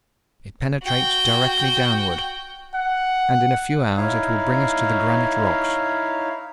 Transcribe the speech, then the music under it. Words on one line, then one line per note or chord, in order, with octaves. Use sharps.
It penetrates directly downward, and in a few hours it will bring us to the granite rocks.
F#4 G5
F#5
D#4 E4 C#5 F5